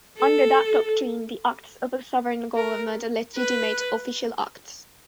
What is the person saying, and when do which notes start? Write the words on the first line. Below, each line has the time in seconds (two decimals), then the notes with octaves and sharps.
Under that doctrine, the acts of a sovereign government are legitimate, official acts.
0.18 A4
2.57 A#4
3.36 B4